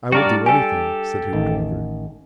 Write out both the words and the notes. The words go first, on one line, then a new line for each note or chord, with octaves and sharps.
"I will do anything," said Hoopdriver.
G3 D4 F#4 A#4 D5 F5
G4 A4 G#5
A1 D#3